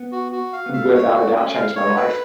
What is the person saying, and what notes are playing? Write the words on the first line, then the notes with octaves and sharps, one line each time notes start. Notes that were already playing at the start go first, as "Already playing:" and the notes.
Without a doubt, changed my life.
Already playing: B3
F#4
F#4
F5
B3
A3 F5
C#5
F#4
C#4
F5
C#5
G#3
A3 B4